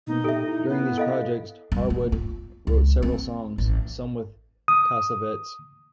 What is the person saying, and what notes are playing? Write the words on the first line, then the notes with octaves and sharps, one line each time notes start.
During these projects, Harwood wrote several songs, some with Cassavetes.
B2 A#3 B3 D#4
A#2 G4 A4 E5
E4
B3
A4 D#5 F5
G3
B3
F4
C#2
C4
A1
D#6